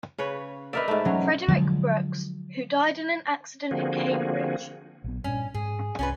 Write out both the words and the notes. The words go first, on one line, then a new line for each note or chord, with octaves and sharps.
Frederic Brooks, who died in an accident in Cambridge.
C#3 B4 C#5
D#4 A#4 B4 D5 E5
G#2 A3
F#3 C#4
D3 F3 F#3 G#3
D3 F3 A#3 C4 F#4 G#4
A#1 F#3 B3
G2 A#2 C#4
G#2 G#4
C2 C#4 F4 B4